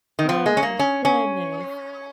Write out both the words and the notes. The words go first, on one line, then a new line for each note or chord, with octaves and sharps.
Oh my goodness.
D#3
F3
G#3
C#4
A#3
C#4
C#4